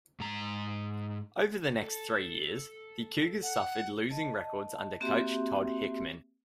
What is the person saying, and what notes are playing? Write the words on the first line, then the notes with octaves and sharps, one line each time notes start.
Over the next three years, the Cougars suffered losing records under coach Todd Hickman.
G#2 A#5
A4
F#5
D#5 A5
A#3 C4 F#4 G4 E5 C6